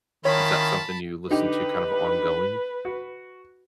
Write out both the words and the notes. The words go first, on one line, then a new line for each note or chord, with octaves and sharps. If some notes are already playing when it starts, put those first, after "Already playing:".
is that something you listen to kind of ongoing?
D#3 C#4 E4 F4 C#5 A5 B5
D3 D#4 G4 B4
F#4